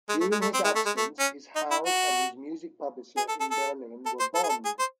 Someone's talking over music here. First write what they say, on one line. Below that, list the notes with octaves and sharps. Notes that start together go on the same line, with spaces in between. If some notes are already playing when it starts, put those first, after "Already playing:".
During his absence, his house and his music publisher in Berlin were bombed.
G#3
A3
G#3
A3
C4
G#3
A3
G#3
A3
C#4
D#4
E4
F#4
G#4
A4
A4
A4
A4
C5
A4
G#4
A4
G#4
C5